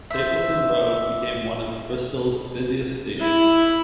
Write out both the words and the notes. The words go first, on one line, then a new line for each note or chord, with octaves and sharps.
Stapleton Road became one of Bristol's busiest stations.
C5 E5
E4